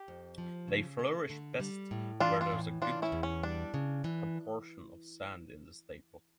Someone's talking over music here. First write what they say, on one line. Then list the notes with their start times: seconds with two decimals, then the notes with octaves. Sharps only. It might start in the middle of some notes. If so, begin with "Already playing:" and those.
They flourish best where there is a good proportion of sand in the staple.
Already playing: G4
0.08 F2
0.38 F3
0.68 C#3
0.99 A3
1.30 D3
1.60 G3
1.91 A2
2.20 E3 D4 F4
2.41 D4 F4
2.51 A2
2.82 E3 D4 F4
3.02 C#4 E4
3.12 E2
3.23 C#4
3.43 G3 D4
3.74 C#3
4.04 E3